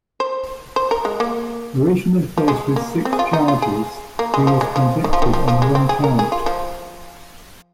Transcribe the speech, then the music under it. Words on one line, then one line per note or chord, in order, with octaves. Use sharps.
Originally faced with six charges, he was convicted on one count.
C5
C5
A#4
G#3
A#3
F3
G#3
A#3
C4
G#4
F4
D#4
F4
G#4
A#3
G#3
F3
G#3
F3
D#3
F3
D#3
F3
F3
G#3
C4
G#4
A#4
G#4
F4
F3